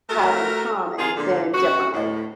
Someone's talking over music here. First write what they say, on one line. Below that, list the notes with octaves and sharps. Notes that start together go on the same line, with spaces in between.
have in common than differently.
A3 F#4 A4 A#4
C3 D#3 F4 G#4
A#2 D3
F#2 B2 F#4
D2 A2